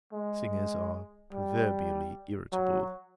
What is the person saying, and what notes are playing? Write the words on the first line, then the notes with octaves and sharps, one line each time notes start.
Singers are proverbially irritable!
G#3
G3
F#3